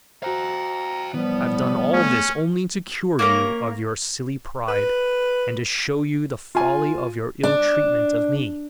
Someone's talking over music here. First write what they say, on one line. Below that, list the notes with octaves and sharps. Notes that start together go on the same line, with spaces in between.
I have done all this only to cure you of your silly pride, and to show you the folly of your ill-treatment of me.
F#4 C5 F5 G5 A#5
A2 E3 F3 G3 B3
A3 C#4 G#4
A#3 C#4 A#4
B4
F4 G#5
D4